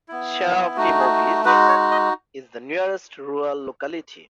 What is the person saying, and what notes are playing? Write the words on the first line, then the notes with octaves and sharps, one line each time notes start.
Serafimovich is the nearest rural locality.
B3 E4
A3 D#4 F#4
G#4
G#3 D#4 F#4 B4
C#5
D#5